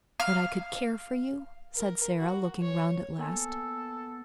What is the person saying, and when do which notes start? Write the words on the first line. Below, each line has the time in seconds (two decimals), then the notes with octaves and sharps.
"That I could care for you?" said Sara, looking round at last.
0.20 F5
1.76 A#4
2.19 F#4
2.62 C#5
3.19 A#3 B3 A4 G#5 E6